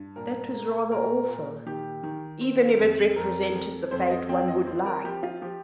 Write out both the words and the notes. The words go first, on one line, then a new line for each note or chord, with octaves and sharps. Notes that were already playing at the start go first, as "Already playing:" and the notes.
That was rather awful, even if it represented the fate one would like.
Already playing: G2
A#2 A#4
A#3
A#2 A#4
A#2
D#3 G4
D#3
C4
F2
F2 A#4
F2
F2 C5
D#5
C4 G5
D#5
C4 C5
A#4
F3 G4
F4
F3 G4